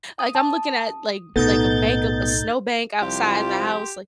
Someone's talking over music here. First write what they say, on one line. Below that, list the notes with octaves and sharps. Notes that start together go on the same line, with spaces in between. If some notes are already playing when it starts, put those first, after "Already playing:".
like, I'm looking at, like like a bank of a snow bank outside the house, like
D#6
A5
B1 A2 B3 D#4 A4 G6 A6
C2 F3 F4 G4 C5 C6